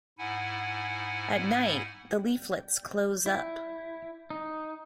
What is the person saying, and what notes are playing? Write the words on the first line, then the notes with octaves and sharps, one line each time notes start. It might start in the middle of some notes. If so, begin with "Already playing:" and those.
At night, the leaflets close up.
G#2 E4 F#5 G#5
E4
D#4